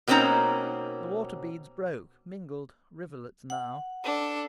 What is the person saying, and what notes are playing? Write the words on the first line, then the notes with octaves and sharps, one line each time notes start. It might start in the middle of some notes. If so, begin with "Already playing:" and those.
The water-beads broke, mingled--rivulets now.
B2 A#3 C4 C#4 D#4 A#5
F#5
D4 A4